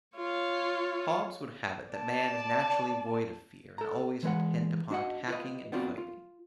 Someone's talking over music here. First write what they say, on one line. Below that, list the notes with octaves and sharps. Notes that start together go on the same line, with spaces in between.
Hobbes would have it that man is naturally void of fear, and always intent upon attacking and fighting.
F4 C#5
D5 A5
A4 A#5
E3 G#3 B4 F#5
D4 F#4 D#5 F#5
F4 B4 D#5
B3 C4 D4 F4 F#4
F4